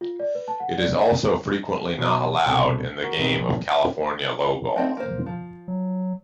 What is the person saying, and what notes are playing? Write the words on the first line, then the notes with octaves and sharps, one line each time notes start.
It is also frequently not allowed in the game of California lowball.
F4
D5
B4
A5
F#5
D5
B2 F#3
C2 B2 D4 A4
F#4 A#4
G#1 G#2 B2 D#3 C4 A#4
A#1
A3 C4 D#4
A#3 C5
F3
F#3